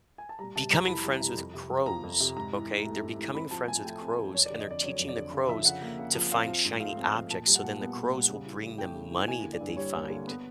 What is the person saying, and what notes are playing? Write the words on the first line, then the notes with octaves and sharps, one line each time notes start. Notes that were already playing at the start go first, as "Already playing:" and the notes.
becoming friends with crows, okay? They're becoming friends with crows, and they're teaching the crows to find shiny objects, so then the crows will bring them money that they find.
G#5
A5
G3 A#5
C3 A5
F2 A#5
E3 B5
G3
C3
F2
C3
F2
F3 A#5
F2
C3
G#2 A#5
E3
G#2
A3
G#2
E3
C4 B5
F3 A5
A2 G#5
A3 G5
C4
F3
F2 C#5
D5
D3
D#5
F2 D5
F#3 C#5
F2
D5
D3
C#3
F3 E5
C#3 F#5
A#3
C#3
F3
C4 F5
F3
G#2
A3 F5
C4
F3
A#2 A5
G3
F#5
A#2
B3
A#2
G3
C#3
E3
C#3
A3 G5
C#3
E3
A#3 G#5
D3
D5
G2
G3 C#5
A#3
D3
B3